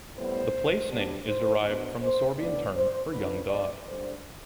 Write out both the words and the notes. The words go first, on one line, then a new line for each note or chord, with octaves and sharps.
The place name is derived from the Sorbian term for "young dog".
A2 G3 B3 C5
B2 G3 B3 D4
C5
B2 B3 D4 C5
C5
A2 E3 B3 D4 D5
C5
D3 F3 B3 D4 B4
D5
D3 G3 D4 C5